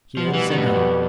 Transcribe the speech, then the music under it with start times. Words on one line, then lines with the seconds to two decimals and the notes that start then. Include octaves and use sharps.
"Here's another."
0.17 B2 F3 G3 B3
0.34 E3
0.50 D#3
0.57 A2
0.66 F#2
0.74 F2